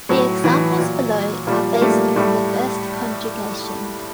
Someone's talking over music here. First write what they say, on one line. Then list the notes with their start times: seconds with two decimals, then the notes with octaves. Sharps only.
The examples below are based on the first conjugation.
0.09 A2 F#3
0.44 E3
0.78 A#2
1.47 A#2 F3 G3
1.74 A#3
1.81 G3 A3
2.16 A2 G3 A3